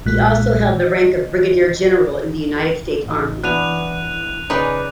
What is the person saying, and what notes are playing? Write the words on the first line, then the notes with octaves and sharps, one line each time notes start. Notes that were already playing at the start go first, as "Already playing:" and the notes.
He also held the rank of Brigadier General in the United States Army.
B1 A#2 G#3 F#6 B6
D#5
A1 D#4
E3 B3 D4 E4 G#5 F#6 D#7 F7
C#3 D#4 B4 D5 G#5